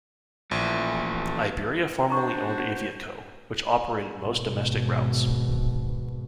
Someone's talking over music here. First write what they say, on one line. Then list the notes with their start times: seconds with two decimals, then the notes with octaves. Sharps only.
Iberia formerly owned Aviaco, which operated most domestic routes.
0.51 A#1 E3 A3
2.10 B3 D4 F#4 C5 A#5 C#6
4.23 G#1 B2